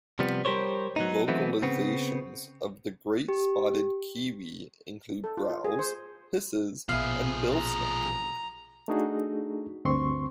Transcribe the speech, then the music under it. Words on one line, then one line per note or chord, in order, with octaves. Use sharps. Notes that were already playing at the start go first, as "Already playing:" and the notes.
Vocalisations of the great spotted kiwi include growls, hisses, and bill snapping.
C3 F3 G3 B3
G3 G4 A#4 C5 C#5
F#3 B3 D#4
E3 F#3 A3 B3 C4 E4
C#3 B3 C4
G4
A4
F4
F4
G#4
C5
A#1 B2 F3 E4 G#4 F5
A#5
A3 D4 D#4 F#4 G#4 A4
D2 G2 C4 C6 C#6